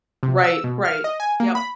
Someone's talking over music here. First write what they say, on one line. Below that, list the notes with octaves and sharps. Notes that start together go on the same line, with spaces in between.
Right, right. Yep.
C3
E6
B2
F6
D#5
G#5
A#3
B5